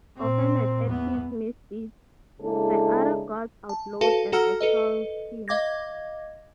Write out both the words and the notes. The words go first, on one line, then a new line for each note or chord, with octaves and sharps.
Offended at his misdeeds, the other gods outlawed and exiled him.
A#2 C4
E2 B3
C#3 G#3 A#3 D4 E4 A4
A5
F#4 A4 B4 F5 A5
F#4 A4 F#5 A#5 E6 F6
A4 B4 D#5
D#5 F5 D6 G#6 A#6